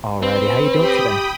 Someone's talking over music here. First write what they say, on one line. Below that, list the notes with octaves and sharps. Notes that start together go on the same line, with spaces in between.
Alrighty. How you doing today?
C4 B4
G4 G5 B5 D#6